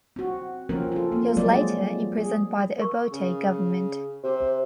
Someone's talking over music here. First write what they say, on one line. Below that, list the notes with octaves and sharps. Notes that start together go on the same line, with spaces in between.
He was later imprisoned by the Obote government.
C4 F#4
F3 C4 C#4 A#4
F4 A4
A#3
F3 F#3 G#3 C4 D5
G#4
A#4 C#6
C#3
C3 C5